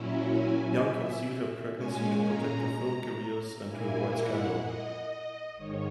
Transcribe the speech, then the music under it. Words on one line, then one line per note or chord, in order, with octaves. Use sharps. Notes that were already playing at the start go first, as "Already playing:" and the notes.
Young concealed her pregnancy to protect their film careers and to avoid scandal.
Already playing: A#2 F#3 C#4 E4
G#5
E5
A#2 G#3 C#4 G#5
A#5
A#2 A#3 E4 G#5
F#5
D#5
D#5
G#2 D#3 C#5